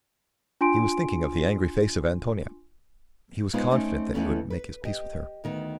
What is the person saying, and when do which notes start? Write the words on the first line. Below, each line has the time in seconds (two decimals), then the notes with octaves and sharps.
He was thinking of the angry face of Antonia; he was confident that he would make his peace with her.
0.61 D4 F4 G#5 C6 D7
3.54 G#3 B3 D#4 F4 B4 C5
3.71 A3 C4 C#4 D#4
4.14 F2 B2 E3 A3 B3 C#4
4.50 B4
4.85 G4 D#5
5.44 D2 D#3 B3